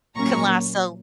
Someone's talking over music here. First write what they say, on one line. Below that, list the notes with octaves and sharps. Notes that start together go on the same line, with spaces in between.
can last so l
A#2 F#3 A#3 C#4 A#5 C#6